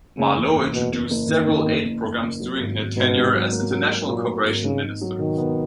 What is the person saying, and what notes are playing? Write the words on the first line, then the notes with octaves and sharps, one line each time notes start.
Marleau introduced several aid programs during her tenure as International Cooperation Minister.
F#1 C#3
E2
F#1
F#1 B2
F#1
F#1
F#1 D#3
F#1
F#1
F#1
F#1
F#1
F#3
G#1
G#1
G#2 B2
G#1
F#3
A#3
F#3
F#3
A#2 F#3
A#3
G#1
C#3 D#4
D#4
F#3
B2 D#3
B3